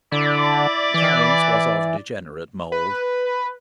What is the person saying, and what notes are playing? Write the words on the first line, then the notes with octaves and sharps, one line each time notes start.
Clarence was of degenerate mould.
D3 E4 D5
E3
B4